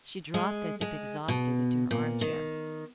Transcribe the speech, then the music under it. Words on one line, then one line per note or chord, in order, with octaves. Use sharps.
She dropped as if exhausted into her armchair.
G#3
G#3
B2
A#2
D#3